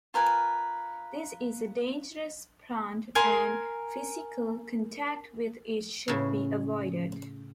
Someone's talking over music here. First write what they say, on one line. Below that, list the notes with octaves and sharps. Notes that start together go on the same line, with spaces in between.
This is a dangerous plant and physical contact with it should be avoided.
F4 A#4 B4 G#5
A#4 G#5 C6
A2 C#3